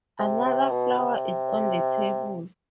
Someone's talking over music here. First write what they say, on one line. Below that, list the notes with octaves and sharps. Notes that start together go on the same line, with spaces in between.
Another flower is on the table.
C3
C3
B2
C3